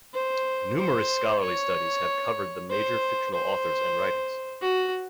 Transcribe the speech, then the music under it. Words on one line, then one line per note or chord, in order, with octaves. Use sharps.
Numerous scholarly studies have covered the major fictional authors and writings.
C5
C5
C#5
C5
C5
F#4